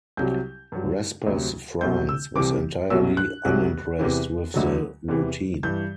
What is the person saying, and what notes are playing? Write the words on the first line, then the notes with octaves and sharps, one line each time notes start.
Respers France was entirely unimpressed with the routine.
C2 C3 F#3 G6
G2 F#3
D2 C3 F#3
C2 B2 F#3 G6
E6
C2 C3 E3 D6
C2 B2 F#3 E6
F#6
C2 C3 F#3
E2 C3 E3
D2 D3 F#3
E2 C3 E3
G2 E3 G6